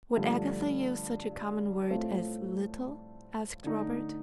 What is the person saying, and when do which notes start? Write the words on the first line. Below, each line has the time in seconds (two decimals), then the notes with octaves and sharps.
"Would Agatha use such a common word as 'little'?" asked Robert.
0.16 G2 D3 F3 A3
1.90 A2 A3 C4 F4
3.64 D3 A3 D#4